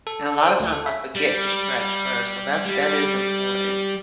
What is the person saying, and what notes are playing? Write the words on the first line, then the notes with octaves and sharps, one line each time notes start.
and a lotta times I forget to stretch first. So that that is important.
A4
A4
C5
D2
A4
E5
G3
G3